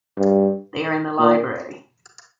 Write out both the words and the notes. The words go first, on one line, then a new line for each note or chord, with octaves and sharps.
They are in the library.
G2
A#2